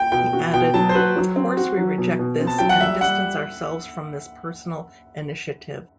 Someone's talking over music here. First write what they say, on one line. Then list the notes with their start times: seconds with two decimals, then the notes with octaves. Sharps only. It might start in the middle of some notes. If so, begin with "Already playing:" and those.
He added, Of course we reject this and distance ourselves from this personal initiative.
Already playing: G5
0.12 B2 G5
0.33 F#4
0.53 B2 G5
0.74 F#3 A5
0.89 C5
0.95 F#4 B4
1.16 F#3
1.36 C4
1.57 F#4
1.77 F#3
1.98 B2
2.19 B2
2.40 C4
2.47 A5
2.59 F#3 G5
2.69 F#5
2.80 G3 E5
3.01 G3 F#5